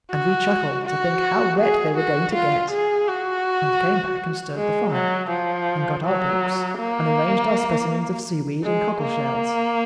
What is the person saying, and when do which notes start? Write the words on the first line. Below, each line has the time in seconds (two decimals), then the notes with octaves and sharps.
And we chuckled to think how wet they were going to get, and came back and stirred the fire, and got our books, and arranged our specimens of seaweed and cockle shells.
0.11 F#4
0.86 F#4
1.60 G#4
1.97 F#4
2.34 F4
2.71 G#4
3.08 F#4
4.56 G#3
4.93 F#3
5.31 F3
6.05 F#3
6.79 A#3
8.64 G#3
9.02 A#3